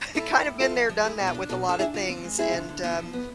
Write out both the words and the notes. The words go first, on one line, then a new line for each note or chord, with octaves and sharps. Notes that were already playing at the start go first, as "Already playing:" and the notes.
I kinda been there done that with a lotta things and, um,
E4 F4 A4
E4
A2
E4 F4 A4
F3
F3
G#3 E4 G#4
B2
F4 A4
D4
B2 F4 A4
D4 A4
D4 E4 G#4
D3 F4
C4
G#3
C4 E4 G#4
D3
D3
B3 F4
F3
B3